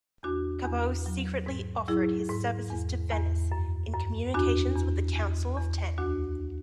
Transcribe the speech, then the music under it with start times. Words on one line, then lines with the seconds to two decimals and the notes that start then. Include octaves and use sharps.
Cabot secretly offered his services to Venice in communications with the Council of Ten.
0.23 E2 D4 F#4
0.65 E2
1.06 F#3
1.46 G#2
1.88 F#3 E4 G#4
2.29 G#2
2.70 E2
3.12 E2
3.52 F#2
3.93 F#2
4.34 E2 D4 F#4
4.76 E2
5.16 E2
5.57 E2
5.98 D2 D4 F#4